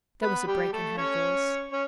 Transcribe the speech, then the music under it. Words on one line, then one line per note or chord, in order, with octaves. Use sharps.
There was a break in her voice.
B3 B4
G3 G4
A3 A4
C#4 C#5
C#4 C#5